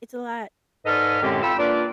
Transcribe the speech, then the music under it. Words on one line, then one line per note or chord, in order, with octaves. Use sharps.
it's a lot
G#2 A4 B4 D5 D#5 F6
F#2 A2 D3 G#3 C4 G4
F4 A4 G5 B5 E6
A#3 D4 F4 B4 D5